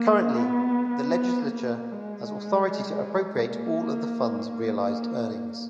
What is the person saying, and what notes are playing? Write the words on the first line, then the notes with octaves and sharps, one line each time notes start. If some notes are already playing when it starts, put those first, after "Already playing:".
Currently the Legislature has authority to appropriate all of the fund's realized earnings.
Already playing: A#3
B3
B3
A#3
G#3
A#3
A#3